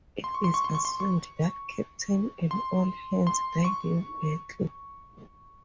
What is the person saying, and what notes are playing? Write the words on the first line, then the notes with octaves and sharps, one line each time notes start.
It is assumed that Captain and all hands died in battle.
C6
C#6
C6
C#6
C6
C#6
C6
C#6
C6
C6
C#6